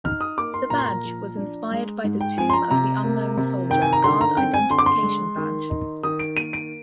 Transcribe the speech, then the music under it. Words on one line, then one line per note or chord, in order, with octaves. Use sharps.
The badge was inspired by the Tomb of the Unknown Soldier Guard Identification Badge.
D#4 F6
D#6
A#3 D6
C6
A#2 A#5
C6
A#5
F3
D4
G#3
G#2
G5
F3 G#5
C6
A#5
C3 A#5
A#3
C3
D#3 G5
G#5
A#5
D3 C6
A#5
C4 G5
G#5
D3 C6
D6
C6
G#3
D#3
D#4
D#3 D#6
D7
A#3 D#7
D7